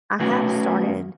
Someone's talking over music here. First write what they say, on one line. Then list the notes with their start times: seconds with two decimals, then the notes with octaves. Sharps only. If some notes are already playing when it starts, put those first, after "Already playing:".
I have started
0.20 D#3 A3 B3 C#4 F#4